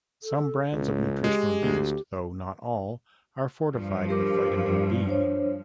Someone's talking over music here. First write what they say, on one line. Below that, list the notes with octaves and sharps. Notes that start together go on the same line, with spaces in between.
Some brands of nutritional yeast, though not all, are fortified with vitamin B.
A4
C#2 C#4
G#3 G4
D2
G2 F3
G4 A#4 D6
D4 C5 C#5